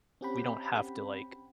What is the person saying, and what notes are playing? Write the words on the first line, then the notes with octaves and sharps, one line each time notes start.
we don't have to like
C4 C#4 G4 F#5 G5 B5